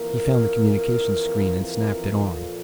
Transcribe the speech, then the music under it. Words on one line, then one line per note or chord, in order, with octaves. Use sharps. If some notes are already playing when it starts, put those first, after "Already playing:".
He found the communications screen and snapped it on.
Already playing: F2 E3 A#3 A#4
A#4
A#2 F3 A#3 A4